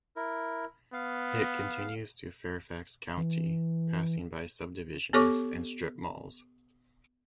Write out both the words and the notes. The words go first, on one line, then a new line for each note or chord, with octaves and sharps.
It continues through Fairfax County, passing by subdivisions and strip malls.
E4 A#4
B3 F5
E3
B3 G4 A4 C#5 C#6 D6